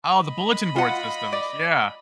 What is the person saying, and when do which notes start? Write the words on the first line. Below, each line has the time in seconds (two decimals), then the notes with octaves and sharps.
Oh, the bulletin board systems, yeah.
0.20 D#5 B5
0.76 F4 F#5
1.33 D5